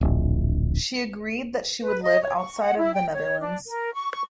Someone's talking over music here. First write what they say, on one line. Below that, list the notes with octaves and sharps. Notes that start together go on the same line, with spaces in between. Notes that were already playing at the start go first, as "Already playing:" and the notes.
She agreed that she would live outside of the Netherlands.
D1 A#1
B4
D#5
C#5
C#6
F#5
E4
G5
C#5
D4
A#4
C#6
C#6